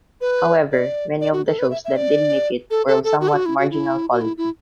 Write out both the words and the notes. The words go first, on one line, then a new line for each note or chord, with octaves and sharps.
However, many of the shows that did make it were of somewhat marginal quality.
B4
D5
D5
F#4
A4
B4
E5
E5
D5
A4
A4
A4
F#4
A4
F#4
E4
F#4
E4
F#4
E4
E4